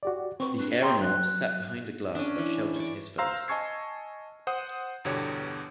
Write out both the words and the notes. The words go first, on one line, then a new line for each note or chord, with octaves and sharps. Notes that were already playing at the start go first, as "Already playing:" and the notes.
The aeronaut sat behind a glass that sheltered his face.
F#4 G4 D5
C4 B4 C#6
D4
C#5 G5 A#5 C6
F#3 F#6
C#4 D4
E3
D5 C#6
C5 F5 A#5 C6 E6 F6
D#5 G#5 A5 C#6 G#6 C7
C5 F#5 D#6
G1 E2 B2 D3 G4 C#5